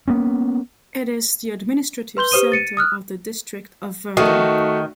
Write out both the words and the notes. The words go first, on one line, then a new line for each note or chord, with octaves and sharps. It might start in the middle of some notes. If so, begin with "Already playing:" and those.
It is the administrative centre of the district of Verden.
A#3 B3 C#4
B4 C6 G6 G7
G4 B4 C5 D#6 D#7 G7
A6 C#7 D#7
D#6 F6 F#6
D#3 A3 F#4